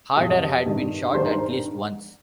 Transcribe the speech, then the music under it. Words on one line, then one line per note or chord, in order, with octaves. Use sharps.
Harder had been shot at least once.
F2 C3 G3 D#5 D#6
G2 D#3 G3
G2 D#3 G3 C5 C6
A#4
C5